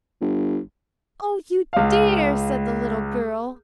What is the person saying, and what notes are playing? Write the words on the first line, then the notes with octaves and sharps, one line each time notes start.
"Oh, you dear!" said the little girl.
G1
C#2 F5